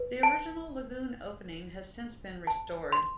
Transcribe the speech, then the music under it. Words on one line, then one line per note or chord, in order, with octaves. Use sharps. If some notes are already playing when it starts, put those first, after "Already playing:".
The original lagoon opening has since been restored.
Already playing: B4
A5
A5
C6